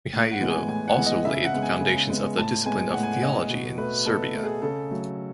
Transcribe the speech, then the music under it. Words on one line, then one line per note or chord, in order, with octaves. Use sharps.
Mihailo also laid the foundations of the discipline of theology in Serbia.
A2
F#5
E3 G#3 B3
G#5
A2 G#5
F#5
E3 G#3 B3
D#5
C#3 E5
F#5
G#3 B3
G#5
C#3
G#3 B3
A2 A5
G#3 B3 G#5
A2 F#5
G#5
F#5
G#3 B3 D#5
B2
A3 B4
B2 A4
A3
G#4
C#3 A4
F#3 A3